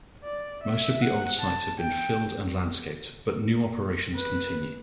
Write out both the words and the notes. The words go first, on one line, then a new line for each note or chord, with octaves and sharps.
Most of the old sites have been filled and landscaped, but new operations continue.
D5
E5
F#5
A5
G5
B4